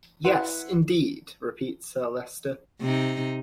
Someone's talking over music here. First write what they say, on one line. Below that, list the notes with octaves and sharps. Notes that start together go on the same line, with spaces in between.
"Yes, indeed," repeats Sir Leicester.
E4 B4 F#5 C6
C3 D#4